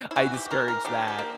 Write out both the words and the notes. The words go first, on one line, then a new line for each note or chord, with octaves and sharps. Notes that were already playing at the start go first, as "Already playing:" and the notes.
I discourage that,
E4
E3 F#4
G4
E3 A#4
A#4
D3 G4
G4
A#3